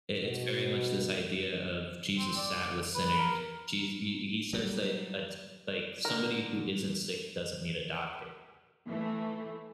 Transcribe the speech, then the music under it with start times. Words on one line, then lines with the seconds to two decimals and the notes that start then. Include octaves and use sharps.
i it's very much this idea of Jesus sat with sinners, Jes he he says that a d like, somebody who isn't sick doesn't need a doctor,
0.22 B2
2.18 C4
2.37 D5
2.95 B4
3.18 A#4
4.53 F#3 G3
6.05 D3 A#4
8.87 E3 A3